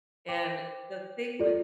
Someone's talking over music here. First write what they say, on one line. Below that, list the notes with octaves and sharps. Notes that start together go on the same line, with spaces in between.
and the thing with
C5 G5 D6
F4 A4 D5